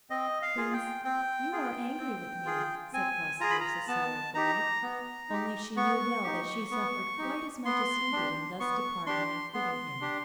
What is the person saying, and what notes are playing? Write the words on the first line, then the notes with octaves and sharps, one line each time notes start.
"Prince, you are angry with me," said Graciosa sorrowfully; only she knew well that she suffered quite as much as he did in thus departing and quitting him.
C4 D#5
F5
F4 G#4
G5
C4 G5
F4 G#4
C4
F4 G#4
C4 G#5
F4 G#4 A#5
B5
A#5
B3 A5
D#4 G4 A#5
B3
D#4 G4
B3 C#6
D#4 G4
B3
D#4 G4
B3 C6
D4 G4
B3 C#6
D4 G4 C6
B3 C6
D4 G4